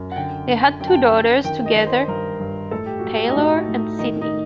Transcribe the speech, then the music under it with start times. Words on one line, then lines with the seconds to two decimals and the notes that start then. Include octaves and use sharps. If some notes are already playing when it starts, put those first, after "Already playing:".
They had two daughters together, Taelor and Sydni.
Already playing: F#2
0.11 F#5
0.16 D3 G5
0.48 D3
0.80 F#2 G5
0.87 A5
0.95 G5
1.12 F#2
1.44 D#3 G5
1.66 D#5
1.75 D#3
1.87 C5
2.08 G2 A#4
2.39 G2
2.71 A2 A4
2.86 G4
2.99 A2 F#4
3.14 G4
3.29 D#4
3.36 A2 F#4
3.68 A2
3.99 D#3 D#4
4.21 D#4